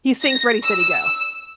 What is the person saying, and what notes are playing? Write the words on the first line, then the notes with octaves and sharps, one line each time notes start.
he sings "Ready Steady Go!"
A#6
E6